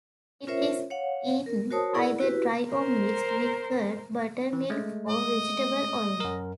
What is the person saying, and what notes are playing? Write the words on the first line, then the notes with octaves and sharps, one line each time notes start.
It is eaten either dry or mixed with curd, buttermilk or vegetable oil.
C#4 F4 A#4 C5 C#5 E5
C#5 F5 F#5
A#4
F#4 A#4 C5 C#5 A5 D#6
E4 G#4 A#4 D5 F#5
E4 F#4 G4 B4
A#4 C5
E3
G#3 A3
D#5
F#2 A#4